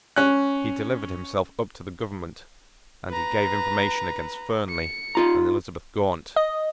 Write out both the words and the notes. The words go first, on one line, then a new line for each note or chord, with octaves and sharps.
He delivered himself up to the government; and he gave information against Fernley and Elizabeth Gaunt.
C#4 F#6
B4 A#5
C#7
D#4 F4 A#5
D#5